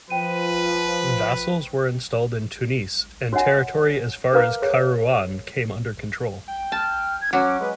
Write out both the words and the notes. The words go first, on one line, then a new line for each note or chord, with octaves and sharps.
Vassals were installed in Tunis and territory as far as Kairouan came under control.
F3 B4 C5 G5 D#7
F#4 C#5 D#5 F#5 G#5
A#4 B4 F5 A#5 D6
G#4 C#5
G5
A5 F6
G#6
F#3 C#4 F#4 D6
G#3 B4